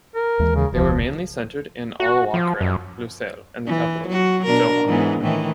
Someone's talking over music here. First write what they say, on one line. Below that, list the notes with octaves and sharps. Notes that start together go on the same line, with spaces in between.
They were mainly centered in Al Wakrah, Lusail and the capital Doha.
A#4
D#2 E3 G#3
C#3
E1 C#2 F3
F#4
F3
F#2
E3
F#3 F#4
B2 D4 A#4
G#2 E3 B3
A2 D#3 E3